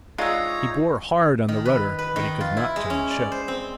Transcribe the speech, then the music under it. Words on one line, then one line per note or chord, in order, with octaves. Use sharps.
He bore hard on the rudder, but he could not turn the ship.
G#3 D4 D#4 F4 C#5 E5 F#5 A#5
D#3
B4
B4
D#3
F4
E4
G#3
C#4
D5
C5
C4